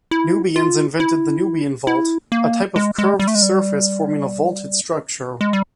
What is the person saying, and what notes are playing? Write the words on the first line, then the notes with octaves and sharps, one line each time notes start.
Nubians invented the Nubian vault, a type of curved surface forming a vaulted structure.
E4
F4
E4
E4
A#3
G#3
G#3
G3
A3
G#3
G3
G#3
G3